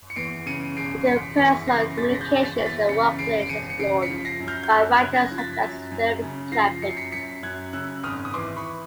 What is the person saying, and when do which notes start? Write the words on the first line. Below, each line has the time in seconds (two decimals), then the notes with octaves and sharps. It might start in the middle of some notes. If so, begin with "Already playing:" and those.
Interpersonal communications in the workplace are explored by writers such as Phillip Clampitt.
0.10 C#7
0.16 E2 C7 D7
0.46 C#3 C#7 D#7
0.77 E1 C7 D7
1.07 E1 B6 C#7
1.37 E2 B6 C#7
1.68 C#3 A#6 C7
1.98 E1 A6 B6
2.14 A#6
2.21 G6 A6
2.28 E1
2.43 A6 B6
2.59 E2
2.66 A6 B6
2.89 C#3 B6 C#7
3.19 E1 C7 D7
3.41 D7
3.49 E1 C#7 D#7
3.70 C#7
3.79 C#3 C7 D7
4.02 B6 C#7
4.10 F3
4.25 A#6 C7
4.40 F#2
4.47 F6 G6
4.63 G6
4.70 F#2 E6 F#6
4.93 F#6 G#6
5.01 C#3
5.16 G#6 A#6
5.31 F3
5.38 A6 B6
5.61 F#2
5.91 F#2
6.22 C#3
6.52 F3 A#6 C7
6.82 F#2 C#7
6.89 C7
6.97 B6 C#7
7.12 F#2 B6 C#7
7.43 F#2 F#6 G#6
7.73 C#3 E6 F#6
8.03 G#1 D#6 F6
8.25 D#6
8.34 E3 C6 D6
8.57 B5 C#6